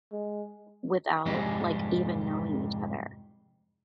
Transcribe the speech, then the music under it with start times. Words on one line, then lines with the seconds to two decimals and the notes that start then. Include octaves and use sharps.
without, like, even knowing each other.
0.12 G#3
1.26 F2 G#2 C3 G3 G#3